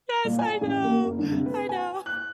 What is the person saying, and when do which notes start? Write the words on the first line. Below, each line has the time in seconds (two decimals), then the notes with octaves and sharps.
Yes, I know, I know.
0.25 A#2
0.39 G#5
0.61 A1
0.84 A#3
1.04 F#1
1.19 D3
1.31 C3
1.46 B4
1.69 G#5
2.06 F#6